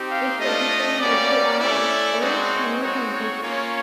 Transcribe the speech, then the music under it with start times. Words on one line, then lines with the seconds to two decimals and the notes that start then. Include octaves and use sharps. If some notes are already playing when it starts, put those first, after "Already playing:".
Its office and library are on Tama Campus.
Already playing: C4 D#4 G4
0.09 F5
0.39 A3 D4 F4 D#5
0.99 G3 A#3 C#4 F#4 D5
1.60 A3 C#4 E4 D5
2.20 G#3 C4 D#4 F#4 D5
2.50 C#5
2.81 G#3 C4 D#4 F#4 C#5
3.11 C#5
3.41 A#3 C#4 F4 C#5